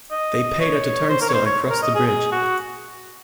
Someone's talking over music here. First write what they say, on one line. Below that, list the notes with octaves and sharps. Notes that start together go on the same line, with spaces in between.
They paid at the turnstile and crossed the bridge.
D#5
C#5
C5
A#4
C#5
C5
C#5
A#4
D#5
G#4
G#4
F#4